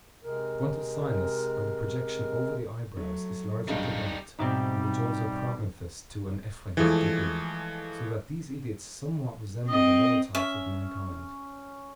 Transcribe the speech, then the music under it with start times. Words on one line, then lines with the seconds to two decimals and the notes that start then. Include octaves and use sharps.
The frontal sinus, or the projection over the eye-brows, is largely developed, and the jaws are prognathous to an "effrayant" degree; so that these idiots somewhat resemble the lower types of mankind.
0.24 C3 G#3 A#4
2.97 F#3 A3
3.68 B1 G2 C#3 G3 D#4 D#5 F5
4.39 G#2 B2 G3 C4 D#4 E5 D6
6.77 E3 F3 G#3 A3
9.69 C4 D#5
10.35 C#4 E5